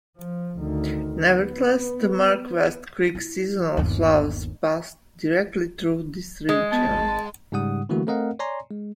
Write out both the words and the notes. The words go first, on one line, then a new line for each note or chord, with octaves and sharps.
Nevertheless, the Mark West Creek's seasonal flows pass directly through this region.
F3
D2 D#3
B3
E4
G1 D#2
G#3
B3 A5
G#1
G#2 C#3 G3 F#5 D#6
D3 E3 G3 A3 A#3 F#4
A3 C4 A#4 D#5 F5 F#5
C#5 D5 G#5 A#5 C6
G#3